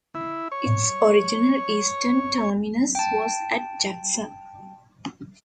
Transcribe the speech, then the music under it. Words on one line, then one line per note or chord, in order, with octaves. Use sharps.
Its original eastern terminus was at Jackson.
E4
C#5
G5 A5